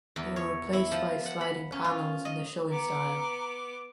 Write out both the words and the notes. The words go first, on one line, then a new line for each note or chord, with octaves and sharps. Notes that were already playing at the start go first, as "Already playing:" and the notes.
They were replaced by sliding panels in the Shoin style.
E2
C#5
E4
F3
F#5
B5
C#4
F4
D#5
B3 A#5 D6